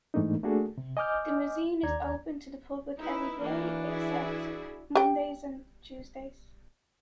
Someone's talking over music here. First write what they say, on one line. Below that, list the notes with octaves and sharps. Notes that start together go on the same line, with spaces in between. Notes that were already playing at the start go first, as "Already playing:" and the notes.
The museum is open to the public everyday except Mondays and Tuesdays.
G#2 E3 A3 A#3 D4 D#4
A3 A#3 D4 F#4 G#4 A4
C3
D#5 G#5 D6 F6 G6
D#2 D5 A#5 G#6
D#4 E4 B4
E3 A#3 D4 F#4
E4 G#4
G4 G5